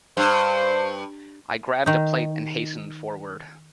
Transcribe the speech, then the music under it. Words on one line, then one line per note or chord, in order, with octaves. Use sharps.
I grabbed a plate and hastened forward.
G2 C5
D#3 D#4